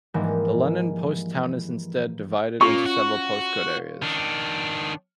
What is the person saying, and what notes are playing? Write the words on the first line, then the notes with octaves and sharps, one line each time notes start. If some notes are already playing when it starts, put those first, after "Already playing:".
The London post town is instead divided into several postcode areas.
G#2 E3 F3 G3 G#3 A#3
A#2 A#3 C#4 F4 C#6
F#4
D#3 D4